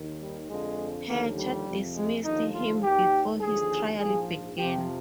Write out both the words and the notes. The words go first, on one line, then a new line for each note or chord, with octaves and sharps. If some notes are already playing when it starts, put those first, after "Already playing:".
Hatcher dismissed him before his trial began.
Already playing: D#2 D#3
G3
F2 D3 F3 G#3
D#2 D3 F3 A#3
G3
F2 C3 F3
G#3
D#2 D3 F3 D#4
F4
D#2 D#3 G4
D#2 D3 F3 G#4
A#1 G#2 F3 G#4
F2 C3 F3 G4